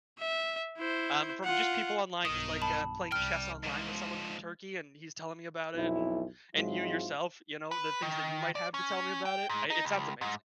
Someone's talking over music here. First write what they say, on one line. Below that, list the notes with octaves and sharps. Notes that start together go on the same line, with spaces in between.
um, from just people online, just, like, uh, playing chess online with someone from Turkey and he's telling me about it, and and you yourself, you know, the things that you might have to tell me about it. I it sounds amazing.
E5
E4 C5
F4 F#5
B1 G2 D#3 D#6
A5 B5
C2 D5 G5 F6
G#2 F3 G#3
B1 F2 B2 E4
G#2 F#3 G#3 C4 E4 F4
B4
D#3
D5
C#4
G5
G#2
D#4
C#2
G#2